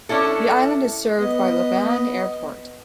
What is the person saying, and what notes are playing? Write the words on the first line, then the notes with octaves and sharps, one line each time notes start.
The island is served by Lavan Airport.
C#4 D4 E4 A4
B3 D#5